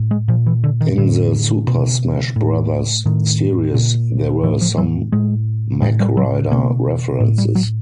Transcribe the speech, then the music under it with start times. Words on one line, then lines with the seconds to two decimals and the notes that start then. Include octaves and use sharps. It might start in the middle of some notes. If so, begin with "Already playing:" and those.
In the "Super Smash Brothers series" there were some Mach Rider references.
Already playing: A2
0.11 G#3
0.28 A#2 F3
0.47 E3
0.64 D3
0.81 D#3
0.98 A2 D3
1.67 B2
2.36 A2
3.06 A2 D#3
3.75 A#2
4.43 A2 E3
4.61 F3
4.78 F#3
5.12 A2 G#3
5.82 A2 G#3
6.00 G3
6.17 F#3
6.51 B2 A#3
7.20 A2
7.38 G3
7.55 F#3